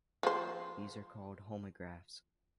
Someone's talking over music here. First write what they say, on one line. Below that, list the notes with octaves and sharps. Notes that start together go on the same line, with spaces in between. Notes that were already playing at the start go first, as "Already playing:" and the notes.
These are called homografts.
F3 C5